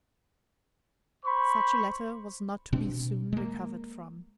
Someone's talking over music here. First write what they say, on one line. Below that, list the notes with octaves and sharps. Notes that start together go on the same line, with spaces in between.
Such a letter was not to be soon recovered from.
C5 B5 C#6
B2 C4 D4
G#3 A#3